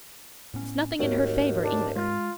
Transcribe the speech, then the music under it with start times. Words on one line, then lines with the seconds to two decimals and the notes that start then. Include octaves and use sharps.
It's nothing in her favour, either.
0.54 A2 B3 C#4
0.99 D#2 G#2 A3 C4 F#4 C#5
1.64 D4
1.96 G#3 F4